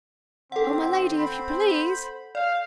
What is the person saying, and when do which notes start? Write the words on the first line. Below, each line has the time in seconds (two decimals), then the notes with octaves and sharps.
"Oh, my lady! if you please!"
0.52 D#2 D#3 C4 A4 F#5
1.17 C5 B5
2.35 D5 F5